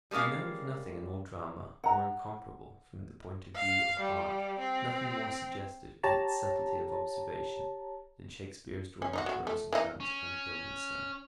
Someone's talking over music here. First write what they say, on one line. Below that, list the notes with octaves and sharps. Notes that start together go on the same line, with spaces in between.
I know of nothing in all drama more incomparable from the point of view of art, nothing more suggestive in its subtlety of observation, than Shakespeare's drawing of Rosencrantz and Guildenstern.
G3 G#3 A#3 C#4 F5
F#5 A#5
F5
G3
C4
G4 C#5 A5 A#5
C#4
D#4 F4 F#4
F#3 F#4
A3
E3 A#3 D#4
C#4